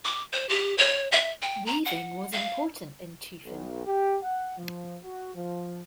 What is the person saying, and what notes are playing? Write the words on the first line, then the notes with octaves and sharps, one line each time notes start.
Weaving was important in Teufen.
D6
C5
G4
C#5
E5
G5
A#5
F#5
F5
B1
G4
F#5
F3
F#4
F3